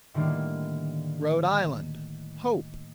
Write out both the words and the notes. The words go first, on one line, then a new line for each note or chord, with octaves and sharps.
Rhode Island--Hope.
A2 D3 D#3 G3 A#3